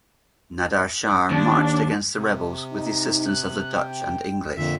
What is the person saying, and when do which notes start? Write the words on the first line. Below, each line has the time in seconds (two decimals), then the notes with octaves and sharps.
Nader Shah marched against the rebels with the assistance of the Dutch and English.
1.30 D#2 D4
2.16 C3
2.71 D#4
3.26 F#6
3.74 G5
4.57 F2 A#2 D3 E5